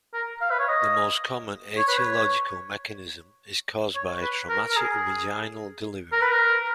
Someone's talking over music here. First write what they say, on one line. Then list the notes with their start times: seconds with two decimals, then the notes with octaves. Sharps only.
The most common aetiological mechanism is caused by a traumatic vaginal delivery.
0.13 A#4
0.41 F5
0.51 B4
0.59 C#5
0.68 D#5
1.77 C#5
1.88 B4
1.98 C#5
3.95 C#5
4.22 B4
4.49 A#4
4.70 A#4
4.77 G#4
6.12 A#4
6.21 B4
6.31 A#4